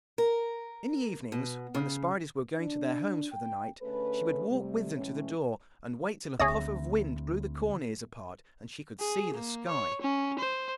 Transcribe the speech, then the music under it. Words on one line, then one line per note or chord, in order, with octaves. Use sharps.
In the evenings, when the spiders were going to their homes for the night, she would walk with them to the door and wait till a puff of wind blew the corn ears apart, and she could see the sky.
A#4
B2
C#3
D4
G5
D3 A3 C#4 G#4 A4 B4
C3 G3 A3
A2 E3 G#3 C#4
D2 D3 C4 G#4 C#5 E5 D#6
G#4
A#3
C#5
C#4
C5